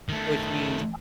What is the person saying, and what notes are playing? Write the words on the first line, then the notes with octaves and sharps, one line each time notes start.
Which means,
D#3 A3